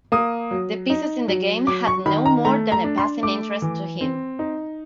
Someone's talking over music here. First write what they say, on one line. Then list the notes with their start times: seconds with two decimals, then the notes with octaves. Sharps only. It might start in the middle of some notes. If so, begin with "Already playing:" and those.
The pieces in the game had no more than a passing interest to him.
0.12 A#3 D#6
0.51 F#3
0.90 D#4
1.28 F#3
1.67 F#3 D6
1.87 C#6
2.06 D#3 B5
2.25 A#5
2.45 A3 A#5
2.72 A#5
2.84 D4
2.98 C6
3.23 A3 D6
3.62 E3
4.01 C4
4.39 D#4